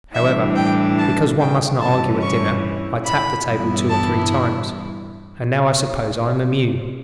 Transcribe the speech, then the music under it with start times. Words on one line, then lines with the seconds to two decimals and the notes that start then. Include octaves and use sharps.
However, because one must not argue at dinner I tapped the table two or three times... and now I suppose I am immune.
0.14 A2 E3 G3 D4 E5
0.55 G5
0.98 A5
1.39 G5
1.81 G2 E3 G3 C#4 E4 A5
2.23 C#6
3.06 B5
3.48 G2 E3 G3 B3 E4
3.89 A5